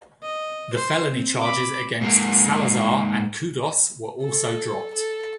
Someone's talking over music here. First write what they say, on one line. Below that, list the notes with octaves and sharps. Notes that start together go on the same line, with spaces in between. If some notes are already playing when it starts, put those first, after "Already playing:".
The felony charges against Salazar and Kouddous were also dropped.
D#5
C5 C6
C4
B5 D6
G#2 A#3
A4
A4